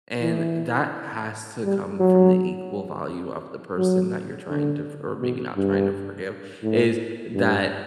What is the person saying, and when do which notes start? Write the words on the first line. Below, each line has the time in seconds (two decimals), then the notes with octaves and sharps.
and that has to come from the equal value of the person that you're trying to for or maybe not trying to forgive, is that
0.21 E3
1.65 G3
2.00 F#3
3.78 F#3
4.50 D3
5.21 B2
5.56 G2
6.63 A2
7.34 G2